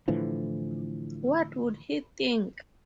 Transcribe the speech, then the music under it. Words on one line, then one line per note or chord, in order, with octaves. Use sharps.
What would he think?
A2 D3 E3 F3